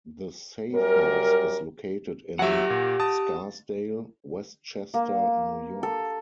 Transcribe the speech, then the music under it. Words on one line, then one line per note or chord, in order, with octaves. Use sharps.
The safe house is located in Scarsdale, West Chester, New York.
F#2 G3 A#4
F#3 G4 E5 F#5
A#2
A5 D#6 A6
A#3
A4